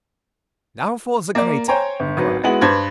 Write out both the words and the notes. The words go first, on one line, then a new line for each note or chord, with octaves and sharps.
"Now for the crater!" he cried.
A#3 D5
C5 C#5 G5 G#5 A#5
G1
G#1 F#3 B4
G#3 B3 E4 F#4 F#7
G2 B4 C5 G#6